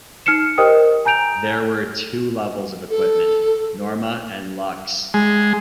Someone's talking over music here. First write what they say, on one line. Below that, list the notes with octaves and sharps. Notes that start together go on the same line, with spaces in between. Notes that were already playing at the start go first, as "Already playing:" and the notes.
There were two levels of equipment: Norma and Luxe.
D#4 F6 C7 C#7 E7
G4 A#4 C5 D#5 G5 D#6
G#5 A#5 G6 D7 F7
A4
G#3